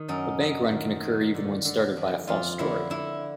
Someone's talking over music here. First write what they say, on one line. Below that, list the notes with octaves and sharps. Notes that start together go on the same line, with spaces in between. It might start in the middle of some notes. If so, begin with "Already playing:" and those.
A bank run can occur even when started by a false story.
Already playing: D#3
F#2 D#4
F#2
D#3
D#3
D3
D3
F2
F2 F4
D3 E4
D3 E4